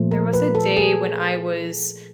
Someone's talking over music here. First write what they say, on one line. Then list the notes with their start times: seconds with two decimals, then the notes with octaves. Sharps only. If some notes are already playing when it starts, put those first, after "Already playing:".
There was a day when I was
Already playing: A#2 F3 A3
0.11 A#4
0.33 B4
0.55 A4
0.76 G#4